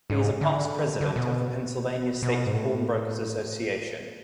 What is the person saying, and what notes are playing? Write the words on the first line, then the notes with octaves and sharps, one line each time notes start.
He is a past president of the Pennsylvania State Pawnbroker's Association.
G#2
D3
D3
B2
B2
G#2
A2